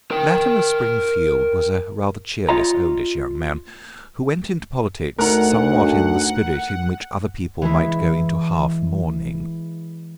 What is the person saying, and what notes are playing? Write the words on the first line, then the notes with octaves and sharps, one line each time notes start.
Latimer Springfield was a rather cheerless, oldish young man, who went into politics somewhat in the spirit in which other people might go into half-mourning.
A#4 G5
F4 C#5 D#5 A#5
D2 A3 D#4 A#4 F#5 A#5
E3 G#3 E4